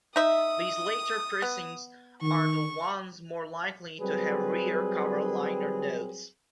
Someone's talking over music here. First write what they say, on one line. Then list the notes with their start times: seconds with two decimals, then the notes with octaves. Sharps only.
These later pressings are the ones more likely to have rear cover liner notes.
0.16 D#4 E5 D#6
1.42 B3
2.22 D#3 C#6
4.01 F#3 G3 C4 G#4 B4